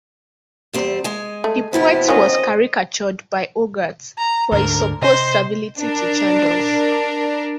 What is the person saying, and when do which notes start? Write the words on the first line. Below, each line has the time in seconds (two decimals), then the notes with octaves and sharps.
The poet was caricatured by Hogarth for his supposed servility to Chandos.
0.73 E2 G3 C4
1.04 G#3 G#5
1.44 A3
1.73 D2 A2 B3 C4 E4
2.09 D#3 F#3 C#4 D#5
4.18 A#5
4.52 D2 G#2 D3 A#4
5.02 C3 C5 D#5
5.80 D4 A#4